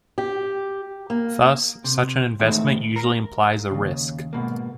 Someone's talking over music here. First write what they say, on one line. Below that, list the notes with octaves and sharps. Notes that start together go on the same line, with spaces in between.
Thus, such an investment usually implies a risk.
G4
A#3
C3
E2 A2 D#3 G#3 A3 C4
A#4
D#2 C#3
G#2 B2 A#3